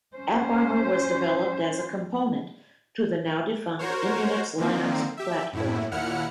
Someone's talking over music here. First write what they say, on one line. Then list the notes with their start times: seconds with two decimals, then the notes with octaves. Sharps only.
AppArmor was developed as a component to the now-defunct Immunix Linux platform.
0.16 C#4 C5
3.79 F#4 A#4 C5 C#5
4.58 D3 D#3 F3 A#3 C4
5.17 G4 E5
5.53 F#2 A2 E4
5.92 D#2 A#2 E4 F#5 F6 C#7